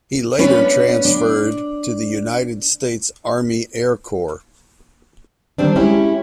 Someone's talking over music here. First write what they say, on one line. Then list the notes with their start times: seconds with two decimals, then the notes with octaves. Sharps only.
He later transferred to the United States Army Air Corps.
0.39 B3 C#4 D4 F4 B4
1.05 D4
5.58 D#3 G3 C4 D4
5.76 G#3 C#4 E4 G4